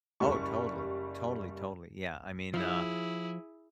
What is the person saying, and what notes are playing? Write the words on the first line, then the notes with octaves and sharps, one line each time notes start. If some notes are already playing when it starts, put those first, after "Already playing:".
Oh, totally. Totally, totally, yeah, I mean, uh,
F#1 G3 C#6
F3 E4 G#4